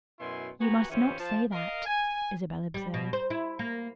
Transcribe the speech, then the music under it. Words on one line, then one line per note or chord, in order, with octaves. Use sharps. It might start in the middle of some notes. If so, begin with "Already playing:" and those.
"You must not say that," Isabel observed.
F#2 B2 E4 G#5 C6
B3 F#4 G4 B4 G#5 A#5
E3 C#4 E4 F4 G4 C5
F3 F4 A5
A#4 D#5 F5
G#5
G3
B2
C5
E4
A#3